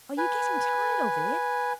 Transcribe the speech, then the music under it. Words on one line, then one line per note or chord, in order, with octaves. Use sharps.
Are you getting tired of it?'
B4 G#5